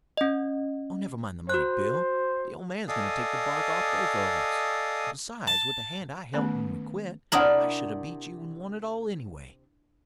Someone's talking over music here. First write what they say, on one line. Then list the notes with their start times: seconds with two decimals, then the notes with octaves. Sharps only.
"Oh, never mind the money, Bill; the old man's going to take the bark off both of us; and besides, with the hand I helt when we quit, I should 'a' beat you and won it all, any way."
0.17 C#4 D#5
1.49 F#4 C5 F#6
2.88 A4 D5 D#5 F5 G#5 D#6
5.47 A5
6.34 D#3 A3 B3 C#4 B4
7.32 C3 D4 E4 A#4 D5 F#5 D#6 F#7